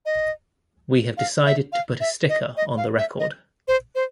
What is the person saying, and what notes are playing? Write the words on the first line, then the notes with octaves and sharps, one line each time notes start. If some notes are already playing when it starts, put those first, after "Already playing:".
We have decided to put a sticker on the record.
D#5
F5
E5
F5
E5
D#5
D#5
F5
E5
D#5
C5
C5